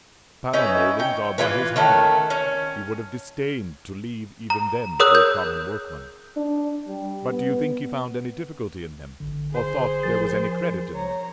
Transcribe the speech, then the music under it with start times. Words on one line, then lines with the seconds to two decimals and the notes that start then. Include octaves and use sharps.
The panel mouldings are by his hand; he would have disdained to leave even them to a common workman; but do you think he found any difficulty in them, or thought there was any credit in them?
0.53 C#4 D#4 E4 B4
0.99 C#5 G5
1.38 E3 F4 B4
1.76 D#3 A3 C#4
2.30 C#4
4.50 A#5
5.00 G#4 A#4 C#5 D#6 E6 F#6
5.15 G6
6.37 D4
6.88 G3
7.30 B3
9.20 G#1 D3
9.53 G#4 C5
10.03 F3 A#4 A6
10.92 C#5 A#5